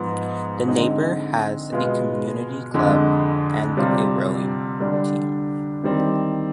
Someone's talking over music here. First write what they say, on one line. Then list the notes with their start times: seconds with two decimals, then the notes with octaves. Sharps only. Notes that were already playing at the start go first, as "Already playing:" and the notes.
The neighborhood has a community club and a rowing team.
Already playing: G#2 F3 B3
0.68 D3 G#3 C4 D#4
1.72 B2 G#3 B3 F4
2.74 F2 D3 G#3
3.77 C3 G3 C4 F4
4.80 D3 G3 D4
5.84 D#3 G3 C4